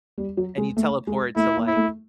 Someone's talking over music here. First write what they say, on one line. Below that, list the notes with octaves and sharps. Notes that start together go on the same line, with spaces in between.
and you teleport to, like
G3
F#3
G#3
A3
G#3
A3 E4
A#3
E4
A3